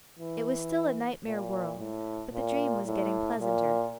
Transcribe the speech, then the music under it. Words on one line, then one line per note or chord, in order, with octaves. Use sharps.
It was still a nightmare world, but the dream was getting pleasanter.
E3
A#2
A2
A#2
A2
A#2